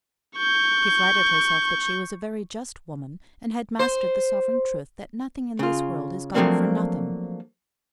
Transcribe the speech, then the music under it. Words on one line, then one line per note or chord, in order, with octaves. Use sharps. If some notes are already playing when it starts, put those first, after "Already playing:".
She flattered herself that she was a very just woman, and had mastered the sovereign truth that nothing in this world is got for nothing.
C#6 G6
C5
C#3 F4
F3 F#3 A3 A#3 C4 D4